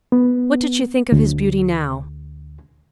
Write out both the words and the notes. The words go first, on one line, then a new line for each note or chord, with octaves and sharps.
What did she think of his beauty now?
B3
D2